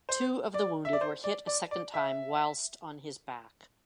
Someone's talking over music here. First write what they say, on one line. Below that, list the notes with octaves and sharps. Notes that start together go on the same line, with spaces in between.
Two of the wounded were hit a second time whilst on his back.
C5
D5
E5
D5
C5
D5
D5
D5
E5